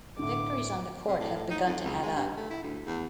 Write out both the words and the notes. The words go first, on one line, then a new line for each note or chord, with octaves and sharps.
The victories on the court have begun to add up.
A2 D3 D6
C3
A2
A2
D#4
F2
C#2
G#3
G2
A3
E4
D2
E2